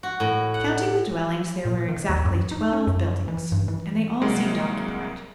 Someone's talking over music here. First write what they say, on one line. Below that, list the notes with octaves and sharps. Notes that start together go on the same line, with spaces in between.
Counting the dwellings there were exactly twelve buildings, and they all seemed occupied.
F#4
A2
F#5
A#2
D#3
D#2
F#2
D#4
C#4
F#2
E3
G2
E3
C2 F#3 G#3 A#3